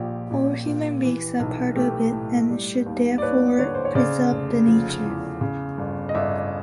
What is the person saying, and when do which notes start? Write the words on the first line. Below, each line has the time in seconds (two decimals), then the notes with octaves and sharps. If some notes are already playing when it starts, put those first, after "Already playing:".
All human beings are part of it and should therefore preserve the nature.
Already playing: A#1 F3 G4
0.30 A#1
0.67 A#2
1.03 E3
1.40 B1
1.76 A3 G4
2.13 A2
2.50 G3
2.86 D#2
3.18 D5
3.22 D#2 B4 C#5
3.59 D3 B4 C#5
3.75 C5
3.85 C#5
3.95 C#3 C5 D5
4.32 F1
4.68 F3
5.04 E2
5.41 C#3
5.78 G1
6.09 D#5
6.14 G1 D5 E5